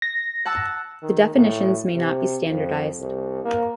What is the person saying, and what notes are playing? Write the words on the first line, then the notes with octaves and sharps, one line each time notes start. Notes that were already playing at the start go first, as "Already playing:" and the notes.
The definitions may not be standardized.
A#6
F#5 A5 E6
D#3
A2
C3
F2
C2
A#3